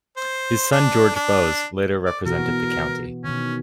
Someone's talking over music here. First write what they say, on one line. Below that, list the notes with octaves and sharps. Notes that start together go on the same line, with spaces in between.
His son George Bowes, later represented the County.
C5
D4
D4
D5
B2 E3 F#4 A#4
B3
B2 D#3 C#4